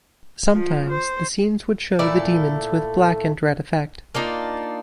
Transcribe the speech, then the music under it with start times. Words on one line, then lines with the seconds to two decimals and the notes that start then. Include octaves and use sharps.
Sometimes the scenes would show the demons with black and red effect.
0.54 F3
0.90 C5
1.99 A#2 A3 E4 D5
4.15 A#3 D4 D#4 F4